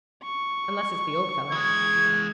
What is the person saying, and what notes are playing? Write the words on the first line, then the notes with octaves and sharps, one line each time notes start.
"Unless it's the old fellow."
C#6
E3 G#3 G#6